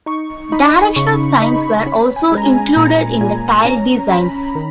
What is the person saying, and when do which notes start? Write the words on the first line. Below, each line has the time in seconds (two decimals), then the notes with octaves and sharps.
Directional signs were also included in the tile designs.
0.06 D#4 C#6
0.52 D#4 B5
0.96 C#3 C#6
1.41 D#4 B5
1.86 C#4 B5
2.16 G#5
2.32 G#3
2.38 A#5
2.46 G#5
2.77 A#2 A#5
3.21 A#2 G#5
3.65 C#4 A#5
4.10 C#4 B5
4.55 D#3